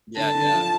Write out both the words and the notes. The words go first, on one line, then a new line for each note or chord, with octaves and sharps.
Yeah, yeah,
D3 A5
D3
F3